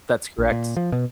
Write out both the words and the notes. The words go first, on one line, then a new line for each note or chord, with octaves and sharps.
That's correct.
A#1
A#2
F3
B2